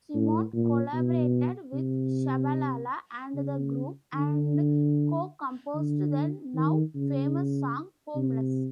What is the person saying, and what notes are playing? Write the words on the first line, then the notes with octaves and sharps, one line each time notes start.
Simon collaborated with Shabalala and the group, and co-composed the now-famous song, "Homeless".
A2
A#2
B2
C3
C#3
D3
D3
D#3
C#3
C3